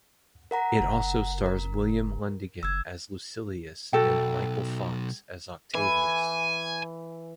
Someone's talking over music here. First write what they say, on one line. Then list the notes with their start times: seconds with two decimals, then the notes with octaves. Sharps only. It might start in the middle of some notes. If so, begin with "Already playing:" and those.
It also stars William Lundigan as Lucilius and Michael Fox as Octavius.
0.51 A#4 F#5 A#5
0.80 F#1
1.46 A#4
2.63 F#1 E6 G#6
3.93 B1 F#4 A4 G5
5.74 E3 G#5